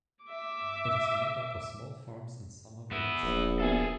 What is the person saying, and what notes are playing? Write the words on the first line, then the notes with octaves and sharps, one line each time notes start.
It is made up of small farms and summer villas.
E5 D6
G#2 B3 E4
D#1 A#1
B3 F#4 G#4 A4 E5